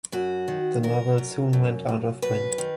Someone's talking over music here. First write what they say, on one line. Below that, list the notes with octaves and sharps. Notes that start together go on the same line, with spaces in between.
The novel soon went out of print.
F#2 F#4
D#3
F#2 A#4
F#2
F#2
F#2
F#2 B4
D#3